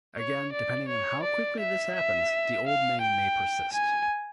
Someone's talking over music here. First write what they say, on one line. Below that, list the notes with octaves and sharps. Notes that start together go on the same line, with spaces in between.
Again, depending on how quickly this happens, the old name may persist.
C#5
D5
C#5
D5
E5
E5
F5
G5
G#5